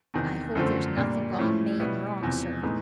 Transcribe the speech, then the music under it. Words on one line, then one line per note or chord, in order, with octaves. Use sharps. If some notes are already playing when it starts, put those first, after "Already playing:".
I hope there's nothing gone main wrong, sir.
E2 C3 D#3
F#2 D3 F3 A3 C4
A#2 G3 A#3 D4
A2 F3 A3 C#4 E4
B2 G3 B3 E4
E2 C3 F3
A2 E3 G#3 B3 D#4